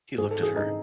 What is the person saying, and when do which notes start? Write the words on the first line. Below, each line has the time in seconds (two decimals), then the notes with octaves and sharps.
He looked at her.
0.18 G#2 G#4
0.31 A4
0.37 E3
0.43 G#4
0.56 G#2 D#4